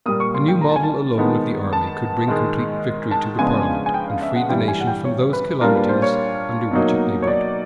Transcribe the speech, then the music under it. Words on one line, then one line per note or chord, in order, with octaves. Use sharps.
A new model alone of the army could bring complete victory to the parliament, and free the nation from those calamities under which it labored.
A#2 G3 A#3 D#6
C#6
C6
G5
A#5
A5
G#5
A5
D#3 G#3 B3 D#4
A5
G#2 D#3 G#3
A5
C#3 F3 G#3 B3 D4 G#5
G#5
G5
F5
E5
F#5
G2 E3 G3 G5
G#5
F#5
G5
C#5
B4
A#2 G3 A#3 D4 F4 A#4
B4
C5
C#5
B2 F#3 A#3 D#4
C#5
D5